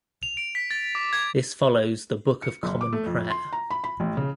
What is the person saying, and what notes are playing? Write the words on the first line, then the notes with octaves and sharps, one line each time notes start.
This follows the "Book of Common Prayer".
F7
D7
B6
A6
D6
G#6
C#7
F#1
D6
A3
F2
C6
A#5
B5
B5
A1
C#3